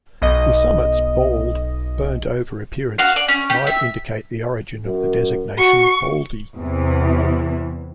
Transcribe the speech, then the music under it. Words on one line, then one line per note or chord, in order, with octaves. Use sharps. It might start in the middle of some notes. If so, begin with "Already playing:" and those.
The summit's bald, burnt-over appearance might indicate the origin of the designation "Baldy".
B1 D#5
F#4 F5
D5
C#4
G4
E5
F#2
F#4 C#6
E2 C3 E3